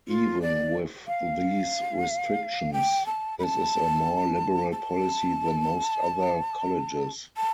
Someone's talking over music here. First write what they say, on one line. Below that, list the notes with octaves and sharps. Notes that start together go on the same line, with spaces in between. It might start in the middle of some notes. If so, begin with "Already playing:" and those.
Even with these restrictions, this is a more liberal policy than most other colleges.
F4
D5
F5
G5
A5
B5
A5
A5
A5